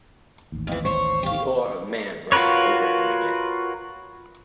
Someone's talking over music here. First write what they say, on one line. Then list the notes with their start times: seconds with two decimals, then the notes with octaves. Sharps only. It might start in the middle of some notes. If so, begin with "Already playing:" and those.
The awe of man rushed over him again.
0.52 A1 D#2
0.67 F2 E3
0.85 C5 C#5 C#6
1.23 G4 F5
2.32 F4 F#4 A#4 B4 C#5